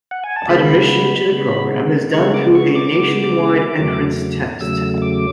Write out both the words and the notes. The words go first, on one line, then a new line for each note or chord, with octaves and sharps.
Admission to the program is done through a nationwide entrance test.
F#5
G#5
A5
C#3 G#3 B3 B5
C#3 G#3 B3
C#3 G#3 B3 C#6
D6
C#6
D6
C#3 G#3 B3
E2 C#3 F#3 A3
E2 C#3 F#3 A3 E6
D6